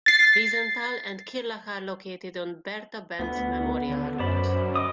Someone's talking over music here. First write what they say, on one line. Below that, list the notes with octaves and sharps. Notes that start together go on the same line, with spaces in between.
Wiesental and Kirrlach are located on Bertha Benz Memorial Route.
A6 C7
D2 B3
D3
F#2 C5 D5 B5
D#5 D6 D#6